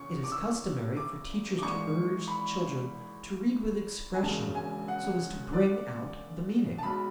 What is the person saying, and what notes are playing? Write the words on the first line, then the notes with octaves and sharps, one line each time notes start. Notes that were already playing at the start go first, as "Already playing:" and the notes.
It is customary for teachers to urge children to read with expression, so as to bring out the meaning.
Already playing: E2 C#3 E3 C#6
D6
E6
D6
D6
G#1 G#2 E3 G#3 C#6
B5
G#5
E1 E2 C#3 G#3 A5
G#5
F#5
D5
A5
B1 B2 G#3 B5